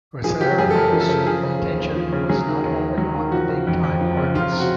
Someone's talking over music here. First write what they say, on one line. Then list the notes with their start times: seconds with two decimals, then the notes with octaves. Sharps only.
Guercio's attention was not only on the big-time artists.
0.24 F3 G#4
0.41 C#3 G4
0.58 F#2 G#4
0.70 A4
0.75 F#2 A#4
0.93 F3
1.01 A4
1.09 C#3
1.26 F3 G#4
1.43 C#3
1.61 D#2
1.79 D#2
1.95 F3
2.13 C#3
2.29 F#3 G#4
2.47 D#3
2.63 D#2
2.80 D#2
2.98 F#3
3.16 D#3
3.32 F3 F#4
3.49 C#3
3.67 F2
3.83 F2
4.00 F3
4.17 C#3
4.35 F3 F4
4.52 C3
4.60 F#4